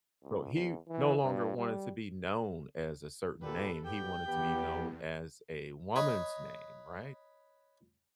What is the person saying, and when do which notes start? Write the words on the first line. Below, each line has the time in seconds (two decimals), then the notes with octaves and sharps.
Well, he no longer wanted to be known as a certain name. He wanted to be known as a woman's name, right?
0.23 C#2
0.54 E2
0.88 E3
1.23 G2
1.58 G3
3.41 A#2 D3 G4 A4 B4
3.85 G2 B3 G4 G5
4.26 E2 B3 G4
5.96 B4 C#5 D#5 A#5